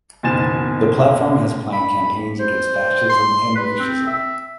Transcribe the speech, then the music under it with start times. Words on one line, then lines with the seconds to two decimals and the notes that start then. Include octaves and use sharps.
The Platform has planned campaigns against fascism and racism.
0.23 F#1 B2 D#3 G#5 A6 E7
1.72 B5
2.39 C5
3.09 C6
3.55 B4
3.79 C4
4.07 E5